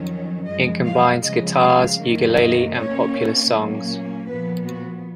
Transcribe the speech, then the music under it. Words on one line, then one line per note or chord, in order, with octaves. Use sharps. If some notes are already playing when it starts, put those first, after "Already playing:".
It combines guitars, ukulele, and popular songs.
Already playing: F2 D#3 F#3 C#4
F#2 F3 G#3 D#5
F5
C#3 F3 G#3 D#5
F5
F#2 D#3 A#3
D#5
B2 A#3 C#4 C#5
A#2 F#3 A#3 C#4
A#2 F3 B3 B4
F#4